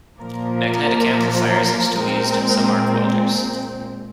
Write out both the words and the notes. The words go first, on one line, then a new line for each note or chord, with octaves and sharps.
Magnetic amplifiers are still used in some arc welders.
A#2 F3 A#3 A#4
A#2 G#3 C4